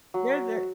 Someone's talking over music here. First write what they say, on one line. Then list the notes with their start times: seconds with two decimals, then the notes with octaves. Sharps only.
They're the
0.14 F#3